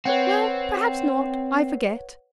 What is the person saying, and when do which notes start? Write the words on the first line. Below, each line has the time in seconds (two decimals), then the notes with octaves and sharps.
'Well, perhaps not--I forget.
0.05 C4 B4 C#5 F#5